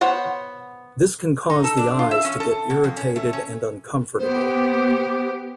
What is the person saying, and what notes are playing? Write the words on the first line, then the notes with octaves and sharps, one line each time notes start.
This can cause the eyes to get irritated and uncomfortable.
B3 C5 C#5 F#5
D#4
A4
D4
F4
E5
C#4
A4
B2
F2
C#4
A3
C#4
B3 G4 C5